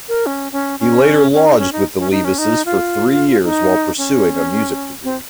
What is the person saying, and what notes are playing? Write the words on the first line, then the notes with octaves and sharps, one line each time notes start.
He later lodged with the Leavises for three years while pursuing a Music degree.
A#4
C#4
C#4
C#4
C#4
D#4
C#4
D#4
C#4
D#4
C#4
D#4
F4
D#4
C#4
C4